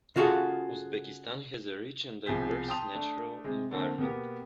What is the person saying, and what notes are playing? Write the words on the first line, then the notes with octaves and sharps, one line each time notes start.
Uzbekistan has a rich and diverse natural environment.
C#3 F4 F#4 G#4 A4 F#5
C2 B2 F3 G#4 G6 B6
G5 A5 C6 D#6 G6 F7
A3 D4
C3 G#3
D3 A3 A#3 C4
B2 A#3 B3 G4